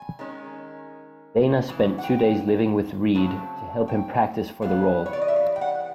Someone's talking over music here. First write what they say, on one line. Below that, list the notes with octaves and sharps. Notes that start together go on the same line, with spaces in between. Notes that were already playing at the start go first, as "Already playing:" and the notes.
Bana spent two days living with Read to help him practise for the role.
Already playing: G#5
D#3 G#3 C#4
C#3 E3
F#5
G5
C#3 F#3 A3 C4
G5
E3 G3 B3 F5
C#5
D5
D#5
E5
F5
G5
F#5